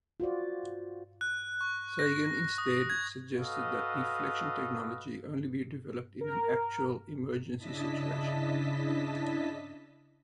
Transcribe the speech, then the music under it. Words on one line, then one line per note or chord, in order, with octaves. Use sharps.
Sagan instead suggested that deflection technology only be developed in an actual emergency situation.
F4 F#4 C5 D5
F#6
C#6
A#6
D#6
G#6
F#4 A4 B4 D#5 F5
A#4
C#3 D4 E4 D#5 A5 B6